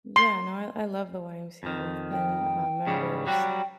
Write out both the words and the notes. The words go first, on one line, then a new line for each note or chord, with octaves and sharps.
Yeah. No, I I love the YMCA, we've been, uh, members
C6
F2 D#3
G5
G#2 C#3 G3
F#3 G3 F#4 G5